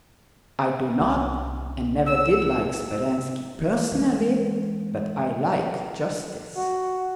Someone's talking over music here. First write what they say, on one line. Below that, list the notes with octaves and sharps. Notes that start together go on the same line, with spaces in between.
"I do not, and never did, like Speranski personally, but I like justice!"
C2 C#4
E6
E3 G#3
F#4